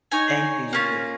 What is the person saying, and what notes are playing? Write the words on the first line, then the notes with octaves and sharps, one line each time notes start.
Thank you, you too.
D#4 C#5 G#5
A#3 C#4 F4